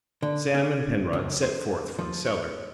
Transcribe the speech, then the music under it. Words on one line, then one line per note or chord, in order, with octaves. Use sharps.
Sam and Penrod set forth for the cellar.
D3
C#4
C#2
C5
F3
C#5